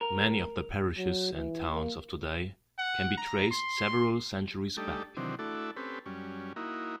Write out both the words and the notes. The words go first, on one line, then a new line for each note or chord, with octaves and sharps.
Many of the parishes and towns of today can be traced several centuries back.
A#4
F#3
E3
A#3
F#5
A#5
C6
G3 A3 D4 D#4 G4 A4
C3 D#3 E3 F#3 C4 D4
A3 D4 E4 F#4 A4
C4 C#4 G4 A4 B4
F#2 G3 C#4
A#3 D#4 E4 F#4